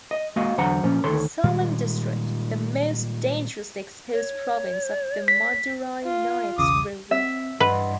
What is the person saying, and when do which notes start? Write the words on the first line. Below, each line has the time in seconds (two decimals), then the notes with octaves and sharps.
The Salem district, the most dangerously exposed province of the Madurai Nayaks rule.
0.11 D#5
0.36 G#3 A#3 F#4 D#5 F5
0.58 E2 D3 F#3 C5 F#5 A#5
0.84 A#2 F3 A#3 C#4
1.04 D2 D#3 A4 C#5 C6
1.43 A#2 D#3 G3 G#3
4.13 C#5
5.28 B6
6.04 F4
6.58 B1 E2 C#3 D6 D#6
7.11 C4 E5
7.60 G2 E3 B4 D#5 F#5 C6